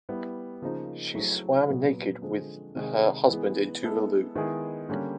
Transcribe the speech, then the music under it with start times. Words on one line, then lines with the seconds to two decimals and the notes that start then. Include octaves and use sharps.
She swam naked with her husband in Tuvalu.
0.09 G3 B3 E4
0.62 C#3 F3 A#3 D#4
1.15 F#3 A3 C4 E4 G#4
1.69 A#2 F#3 B3
2.21 D3 F3 G#3 C4
2.75 C3 D#3 G#3
3.28 E3 G#3 B3
3.82 G#3 B3 E4 A4
4.36 D#3 G#3 B3 E4 G#4
4.89 D3 G3 A#3 C#4